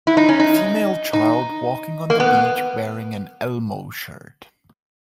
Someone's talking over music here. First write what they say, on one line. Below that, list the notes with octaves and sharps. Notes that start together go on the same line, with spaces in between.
Female child walking on the beach wearing an elmo shirt.
E4
D#4
C#4
D#4
D#4
A#3
B3